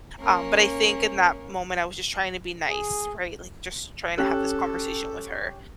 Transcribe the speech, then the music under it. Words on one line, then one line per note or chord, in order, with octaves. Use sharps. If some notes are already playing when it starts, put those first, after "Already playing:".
um, but I think in that moment, I was just trying to be nice, right? Like just trying to have this conversation with her.
A#3 C#4
G#4
C#4 G4 A4 F#6